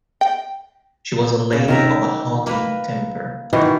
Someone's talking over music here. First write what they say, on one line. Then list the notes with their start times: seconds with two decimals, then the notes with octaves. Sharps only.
She was a lady of a haughty temper.
0.21 G5
1.53 C#3
1.68 D#3 A#4 E5
2.47 A#3 B4
3.53 B2 D#3 E3 F#4